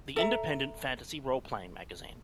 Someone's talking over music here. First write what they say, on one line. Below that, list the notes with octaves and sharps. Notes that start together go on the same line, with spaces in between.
The Independent Fantasy Roleplaying Magazine.
A4 E5 A#5